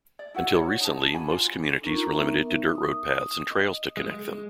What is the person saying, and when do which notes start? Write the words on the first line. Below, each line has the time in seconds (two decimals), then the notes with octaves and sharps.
Until recently most communities were limited to dirt-road paths and trails to connect them.
0.19 D5
0.34 E4 F#4 F#5
0.53 F#4 C#5 D5
0.81 D#4 A5
1.13 D4 F#4 G#5 B5
1.30 F4
1.69 A4
1.82 D4 D#4 F4 A#4 A#5 C#6
2.14 B3 D#4 A#4 E5
2.75 D#6
3.50 D#5
3.97 G#3